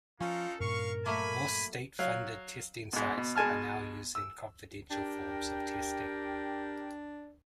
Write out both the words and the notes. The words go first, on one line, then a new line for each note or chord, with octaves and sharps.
More state funded testing sites are now using confidential forms of testing.
F3 A#3 C#4 D#4 F4 A4
G2 A#2 A#4 F5 C#6
F#3 A3 A#3 G#5 B5
F#3 F5
G#2 B2
B2
B2 G#3 G#5 A5 F6
E6
D4 G4 A#4 G5